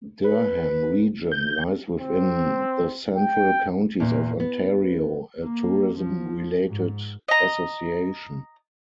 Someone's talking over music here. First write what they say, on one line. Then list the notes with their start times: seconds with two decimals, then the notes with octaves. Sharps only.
Durham Region lies within the Central Counties of Ontario, a tourism-related association.
0.25 B4
1.32 G6
2.01 C4
3.16 G5
4.00 E2 A#2
4.40 B3
5.43 A#3
5.98 F3
6.68 G#2
7.28 D#5 A#5